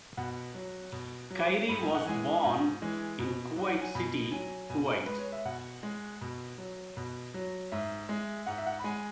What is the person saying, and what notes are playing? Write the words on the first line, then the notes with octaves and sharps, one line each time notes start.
Khairy was born in Kuwait City, Kuwait.
B2 F#5
F#3
B2
F#3
G#2 B5
G#5
F#5
E3 G#3 G#5
G#2
E3 G#3
B2
F#3
F#5
G#5
B2 B5
F#3 G#5
B2 G#5
G#3 B4
C#5
E5
B2 F#5
G#3
B2
F#3
B2
F#3
G#2 E5
G#3
G#2 F#5
E5
F#5
B5
G#3 G#5